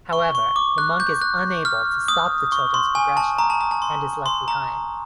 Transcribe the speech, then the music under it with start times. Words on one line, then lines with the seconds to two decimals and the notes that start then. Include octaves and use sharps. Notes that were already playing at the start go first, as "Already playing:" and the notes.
However, the monk is unable to stop the children's progression and is left behind.
0.13 C#6
0.35 C#6
0.56 D6
0.78 F#6
1.00 G6
1.22 F#6
1.65 F6
2.08 D#6
2.52 C#6
2.74 C6
2.95 G#5
3.17 A5
3.38 A#5
3.50 A5
3.61 A#5
3.71 A5
3.82 C6
4.26 C6
4.48 A#5